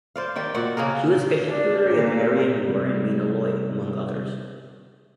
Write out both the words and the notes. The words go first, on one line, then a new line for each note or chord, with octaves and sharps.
She was a contemporary of Marianne Moore and Mina Loy, among others.
C5 D5 F5
D#3 G4 D5 G5
A#2 F#4 D5 F#5
C#3 A#3 G#4 A#4
D4
A#2
C3 G3